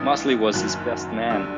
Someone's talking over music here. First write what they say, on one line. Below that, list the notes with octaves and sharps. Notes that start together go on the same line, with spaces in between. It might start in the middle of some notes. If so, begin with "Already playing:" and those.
Mosley was his best man.
Already playing: A1 G2 E3 D#6
F#1 F#2 D#3 F#3 F#6
D2 D3 G3 E6